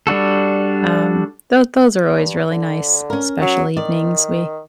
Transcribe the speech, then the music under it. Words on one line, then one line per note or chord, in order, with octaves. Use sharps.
um, tho those are always really nice, special evenings. We
G3 D4 F#4 A4
G2
D3
C#4 A#4
F#3
D#3 D5